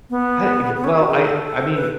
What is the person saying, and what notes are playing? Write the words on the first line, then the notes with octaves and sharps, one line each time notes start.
I y well, I I mean,
B3
B3
C#4
F#4
G#4
A4
B4